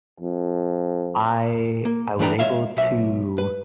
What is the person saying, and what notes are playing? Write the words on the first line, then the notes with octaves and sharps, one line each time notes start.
I I was able to
F2
A#3
E3 A3 D4 B4 G5 A#5
G#3 C#5 E5 F5
B1 E5
B4